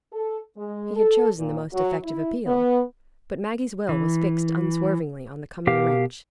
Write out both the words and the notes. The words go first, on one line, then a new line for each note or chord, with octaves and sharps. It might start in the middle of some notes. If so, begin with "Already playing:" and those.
He had chosen the most effective appeal; but Maggie's will was fixed unswervingly on the coming wrench.
A4
G#3
A4
A#2
F#3
E4
B3
E3
B2 G4 A#4 F5